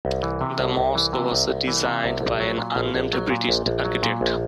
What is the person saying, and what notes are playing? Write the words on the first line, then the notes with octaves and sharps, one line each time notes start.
The mosque was designed by an unnamed British architect.
C2
E3
C3
C2
C2
E3
C3
C2
C2
E3
C3
C2
A#1
F#3
A#2
A#1
A#1
F#3
A#2
A#1
A#1
F#3
A#2
A#1